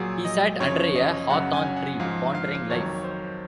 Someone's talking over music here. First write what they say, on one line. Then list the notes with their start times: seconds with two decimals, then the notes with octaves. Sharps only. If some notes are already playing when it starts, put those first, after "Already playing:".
He sat under a hawthorn tree, pondering life.
Already playing: A#2 F#3 G#4
0.25 D#5
0.60 F#2 C#3 F3 C#5
0.95 D#5
1.30 F#2 C#3 F#3 F#5
1.53 G#5
1.76 F#5
2.00 G#2 F3 F5
2.35 F5
2.70 F2 D#3 F#3 C#5
3.04 C5